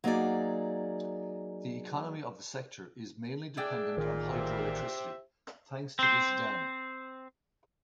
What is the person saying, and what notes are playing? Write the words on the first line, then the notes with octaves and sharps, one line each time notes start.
The economy of the sector is mainly dependent on hydroelectricity thanks to this dam.
F#3 A#3 D#4 G#4 D5
A3 D4 G#4 D5 E5 G5
A1 A#2 D#3
G4 C5 E5
C4 C5